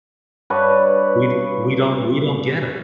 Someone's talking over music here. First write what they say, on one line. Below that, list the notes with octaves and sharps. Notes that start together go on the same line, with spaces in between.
we d we don't we don't get it.
G2 B4 C#5 A5